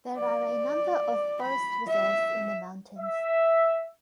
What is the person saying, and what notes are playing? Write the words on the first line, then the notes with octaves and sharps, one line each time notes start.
There are a number of forest reserves in the mountains.
D5
B5
E5
E5